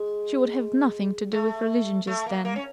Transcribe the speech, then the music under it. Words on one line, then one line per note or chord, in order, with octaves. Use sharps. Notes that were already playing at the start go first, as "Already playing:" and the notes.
She would have nothing to do with religion just then.
Already playing: G#3
A3
A3
A#3
A#3
C#4